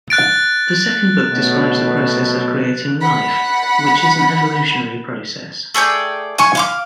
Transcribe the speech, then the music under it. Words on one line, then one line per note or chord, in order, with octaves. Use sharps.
The second book describes the process of creating "life", which is an evolutionary process.
F#6 A6 D7
B2 F#3 A3
F#5 B5
A3 G#4 D5 G5
G#5 C#6
F5 C6 D6